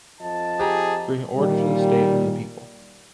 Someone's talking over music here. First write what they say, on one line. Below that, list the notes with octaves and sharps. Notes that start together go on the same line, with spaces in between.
Bring order to the state and the people.
F2 F3 D#5 A5
G4 G#4 A#5
A#2 D#3 G3